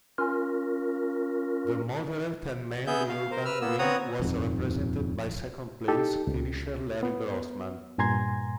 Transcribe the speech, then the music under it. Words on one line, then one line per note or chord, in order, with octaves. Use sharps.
The moderate and mainly urban wing was represented by second-place finisher Larry Grossman.
C#4 F4 A#4
B3 G#4 E5 G6
F5
A#4 C5
B4 E6 F6
A#3 B3 E6
B3 C4 C#5 F#5 A#5 D#6
D#1 F2 G#2
D#4 G4 A4
C#2
B3
G2 A#2 G#5 A#5 C6 G#6